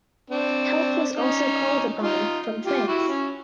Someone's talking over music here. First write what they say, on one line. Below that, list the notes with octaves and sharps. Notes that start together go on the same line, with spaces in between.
Help was also called upon from France.
C4 D4
C#4 D#4
D#4 F4
F4 G4
E4 F#4
C#4